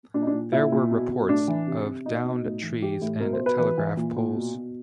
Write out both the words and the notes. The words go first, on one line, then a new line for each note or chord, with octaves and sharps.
There were reports of downed trees and telegraph poles.
A#2 D4
D#4
D4
A#2
A#2 E4
A#2
B2
B2
A2 D4
E3
C3
C3
B2 D#4
B2
A2
E3
E3 G4
A2
B2 A#4
C5
B2
B4
E3 B4
E3
A#2
A#2
B2
B2